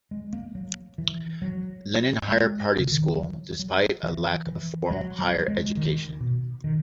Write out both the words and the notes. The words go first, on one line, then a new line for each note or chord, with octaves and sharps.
Lenin Higher Party School despite a lack of formal higher education.
G#3
A#3
F#3
E3
F#3
G#3
C#3
D#3
E3
F#3
F#3
E3
E3
F#3
F#3
G#3
D#3
B2
D#3